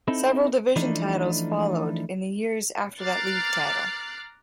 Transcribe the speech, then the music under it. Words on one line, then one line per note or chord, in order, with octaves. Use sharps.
Several division titles followed in the years after that league title.
C4 D#4 E4 A4
E3 F3 A3 D4 D#4
A#5 D6 F6 F#6 A6 C7